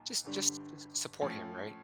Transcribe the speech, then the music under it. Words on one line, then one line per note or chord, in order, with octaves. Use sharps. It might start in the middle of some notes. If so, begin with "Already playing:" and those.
Just just just support him, right?
Already playing: B1 A#2
G1 G2 D3 G3
A2 F3 A3 C#4